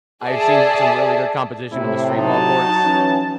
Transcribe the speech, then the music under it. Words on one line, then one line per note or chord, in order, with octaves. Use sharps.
I've seen some really good competition in the street ball courts.
G#4 A4 D5 E5 A5
A2 C3 E4
F#3 D#4 A5
E3 C#4